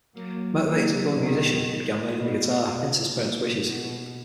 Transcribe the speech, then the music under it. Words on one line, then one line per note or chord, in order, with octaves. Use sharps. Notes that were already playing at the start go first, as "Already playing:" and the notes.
Motivated to become a musician, he began learning the guitar against his parents wishes.
F#3 A#3
F#3 A#3
B2 D#3
B2
A#2
B2